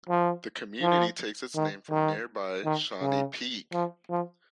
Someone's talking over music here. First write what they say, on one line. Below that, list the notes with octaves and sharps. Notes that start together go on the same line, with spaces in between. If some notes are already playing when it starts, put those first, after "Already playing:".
The community takes its name from nearby Shawnee Peak.
F3
F3
D#3
D#3
D#3
C#3
F3
F3